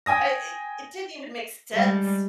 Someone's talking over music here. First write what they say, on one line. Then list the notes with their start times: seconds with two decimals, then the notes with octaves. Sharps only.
I it it didn't even make sense.
0.06 G5 G#5 D#6 A#6
1.72 G3 G#3